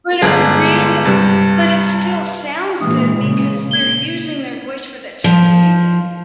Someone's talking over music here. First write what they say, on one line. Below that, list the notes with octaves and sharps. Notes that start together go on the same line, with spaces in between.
but it really but it still sounds good because they're using their voice for that type of music.
G1 G#3
G2 C3
A#2 E3 G#3 D4 D#6
C#3
A#2 G#6 G7
F3